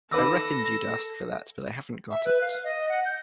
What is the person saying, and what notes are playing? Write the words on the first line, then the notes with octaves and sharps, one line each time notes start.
I reckoned you’d ask for that, but I haven’t got it.
A4 B4 D6 E6 A#6
E5
B4
F5
D#5
F#5
G6